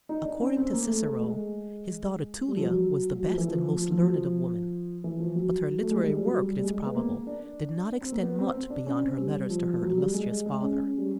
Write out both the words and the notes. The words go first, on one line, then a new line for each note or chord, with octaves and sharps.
According to Cicero, his daughter Tulia was "the best and most learned of women"; but her literary work, it is probable, did not extend much beyond her letters to her illustrious father.
D#4
D4
C#4
C4
A#3
A3
A3
G#3
G3
F3
F#3
F#3
F3
E3
F3
F3
F3
F#3
F3
E3
F3
F#3
A3
G#3
G3
G3
F#3
G3
G3
G#3
B3
A#3
D4
C4
A#3
B3
C4
C4
D4
C#4
C4
G3
F3
F3
F#3
G3
G#3
G#3
C#4
G3